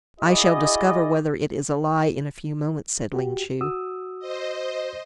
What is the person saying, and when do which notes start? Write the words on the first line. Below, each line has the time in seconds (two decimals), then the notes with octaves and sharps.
"I shall discover whether it is a lie in a few moments," said Ling Chu.
0.20 E4 F#4 G#4 D5 D#5
3.14 F#4 G4
3.61 F#4 D#6 E6
4.19 C5 D#5